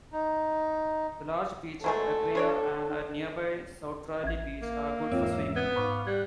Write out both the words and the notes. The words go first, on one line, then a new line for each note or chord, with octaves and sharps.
The large beach at Agria and at nearby Soutrali beach are good for swimming.
D#4
F#3 G#3 A3 A4
D4 C#5 D5
A1 E5 G#6
A#3
E2 G#2 C4 F4 C#5 E5
B3 G#6
G#2 F5 B5 C#6 D6
G3 F#5 G#6